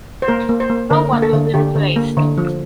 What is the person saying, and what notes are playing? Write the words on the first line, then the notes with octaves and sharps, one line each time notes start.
No one will be replaced.
C5
A#3 A#4
A#3
C5
A#3
D3 A#4
A#3
A4
D3
D3 G4
D3
A#3
D3
F3